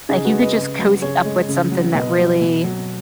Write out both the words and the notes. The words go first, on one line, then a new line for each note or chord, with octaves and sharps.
like, you could just cozy up with something that really
C#3 D#4 G#4
F#4 B4
G#3
B4 D#5
C#3
F#3
C#3 G#4 C#5
G#3
C#3
F#3
B2 B4 D#5
F#3
B2
F#3